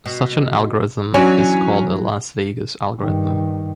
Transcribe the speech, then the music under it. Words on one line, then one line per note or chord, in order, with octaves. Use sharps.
Such an algorithm is called a Las Vegas algorithm.
B2
E3 F#3 C#4 D4 C#5 G#5
G2 D#3